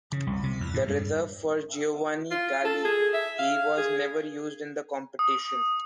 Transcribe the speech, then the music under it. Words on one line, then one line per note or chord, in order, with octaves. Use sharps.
The reserve for Giovanni Galli, he was never used in the competition.
C#3
C2
C3
E2
A2
G2
F4
A4
G#4
E5
F5
G#4
D#6